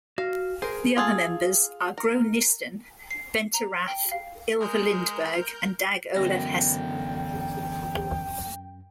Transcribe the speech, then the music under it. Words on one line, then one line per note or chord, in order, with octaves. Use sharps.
The other members are Gro Nystuen, Bente Rathe, Ylva Lindberg and Dag Olav Hessen.
F#4 F5
G#4 A#4 C5
F4 G#4 A4 F5
A#4
C7
A#5
G5
F5
G#3 A#4 F6 G6
F#2 D3 E3 B3 D#5 G5 A#6